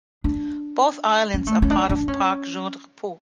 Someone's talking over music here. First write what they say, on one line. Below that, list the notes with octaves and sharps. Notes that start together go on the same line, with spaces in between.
Both islands are part of Parc Jean-Drapeau.
D4
C#4
A3
C#4
D4
D4
C#4